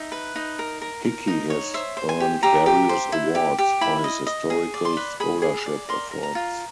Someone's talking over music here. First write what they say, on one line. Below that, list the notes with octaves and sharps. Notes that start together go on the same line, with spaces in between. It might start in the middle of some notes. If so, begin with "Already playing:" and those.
Hickey has earned various awards for his historical scholarship efforts.
Already playing: D#4 E5
B4
D#4
A#4
A#4
A#4
D#4
C#5
C5 E5
C5
G#5
G4
G4 A#5
G4
C5
E4
G4
G4
E4 B5
D#5
D#5
G#4
D5
C6
B4
G#4 B5
G#4
D5
A#4 C6
A#4
A#5
F4